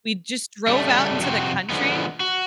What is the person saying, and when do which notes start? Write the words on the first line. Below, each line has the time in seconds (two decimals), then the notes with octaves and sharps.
we just drove out into the country,
0.67 C#3 G3 A3
1.20 F2 C3 C4 F#4
1.69 D3 F3 G#3 B3
2.20 F#4